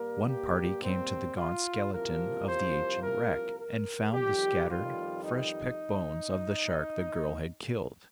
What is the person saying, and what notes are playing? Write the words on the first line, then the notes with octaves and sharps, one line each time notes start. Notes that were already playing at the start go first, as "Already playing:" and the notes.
One party came to the gaunt skeleton of the ancient wreck, and found the scattered, fresh-picked bones of the shark the girl had killed.
Already playing: G2 G3 A#3 A#4
G4
C4
F4
C2 C3 F3 A#3 A#4
C5
A#4
A#4
F2 D#3 G3 G4
F4
D#4